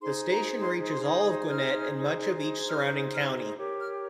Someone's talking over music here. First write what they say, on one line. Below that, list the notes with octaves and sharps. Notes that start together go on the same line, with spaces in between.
The station reaches all of Gwinnett and much of each surrounding county.
D#4 G#4 C5 C6
A#5
C6
C6
D#6
F6
F6
F6
G4 A#4 C#5
F6